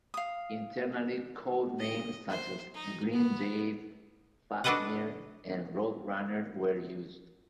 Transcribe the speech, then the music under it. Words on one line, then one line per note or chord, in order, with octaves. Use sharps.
Internally, code names such as Green Jade, Fafnir, and Roadrunner were used.
F5 D#6
D#5
C5
D#4
B3
D4 F#4 A4 B4 D#5 F#5